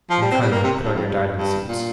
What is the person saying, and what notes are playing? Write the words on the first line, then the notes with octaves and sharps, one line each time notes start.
"Then kindly put on your diving suits."
F3
G3
C4
G3
A#3
C3
G2
F2
G2
G2
A#2